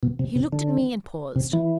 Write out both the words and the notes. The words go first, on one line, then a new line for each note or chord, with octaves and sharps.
He looked at me and paused.
B2
C3
C3
D3
C3
E3